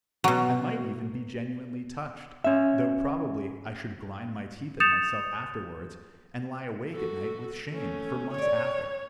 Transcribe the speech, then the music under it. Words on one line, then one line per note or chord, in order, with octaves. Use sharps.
I might even be genuinely touched, though probably I should grind my teeth at myself afterwards and lie awake at night with shame for months after.
B2 F#3
C#4 E5
D#6 G6 A6 C#7 E7 F7
F#4 A4
A3 C#4
G2 C#5 D5